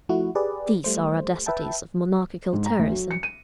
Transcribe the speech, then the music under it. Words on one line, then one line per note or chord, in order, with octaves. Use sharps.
These are audacities of monarchical terrorism.
F3 A3 E4 F#4
G4 G#4 B4 D5
G3 A3 C5
B4 E5 G5 A5
G#2
A#5
D2
F#3
C#7
D#7